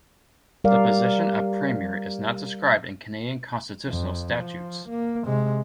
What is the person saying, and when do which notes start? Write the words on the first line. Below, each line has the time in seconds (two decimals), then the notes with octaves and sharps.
The position of premier is not described in Canadian constitutional statutes.
0.64 G3 A#4 D5 F5
3.89 F2
4.35 F3
4.89 A#3
5.25 C3 G#3